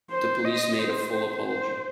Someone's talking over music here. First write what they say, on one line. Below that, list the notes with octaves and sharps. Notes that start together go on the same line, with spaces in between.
The police made a full apology.
C5
D#5
C5
C5